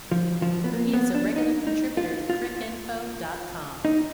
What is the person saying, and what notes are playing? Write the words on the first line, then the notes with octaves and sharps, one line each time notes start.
He is a regular contributor to Cricinfo dot com.
F3
F3
B3
A#3
B3
D4
D#4
D#4
F4
F4
D#4